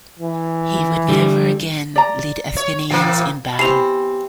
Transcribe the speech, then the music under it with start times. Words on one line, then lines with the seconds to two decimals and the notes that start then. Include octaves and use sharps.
He would never again lead Athenians in battle.
0.20 E3
1.08 D3 G3
1.96 D5 A#5
2.57 C#5
2.90 A#2 E3 A#3 G5
3.59 E3 B3 C4 G4 C7 F7